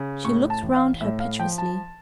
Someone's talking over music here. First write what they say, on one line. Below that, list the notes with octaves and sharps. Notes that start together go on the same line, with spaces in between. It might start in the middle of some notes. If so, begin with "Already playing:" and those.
She looked round her piteously.
Already playing: C#3
A2 C#6
A5
A1
F5
A2 E5
F5
F3 G5
A5